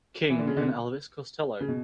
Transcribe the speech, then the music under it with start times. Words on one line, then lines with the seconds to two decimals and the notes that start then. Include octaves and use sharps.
King, and Elvis Costello.
0.30 E3
0.39 D3
0.47 C#3
0.57 D3
1.61 C#3
1.68 B2